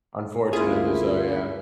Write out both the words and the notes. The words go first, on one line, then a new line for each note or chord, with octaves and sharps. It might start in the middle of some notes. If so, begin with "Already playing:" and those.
Unfortunately, so, yeah.
D2 A#3 C#4 E4 F4 G#4 E5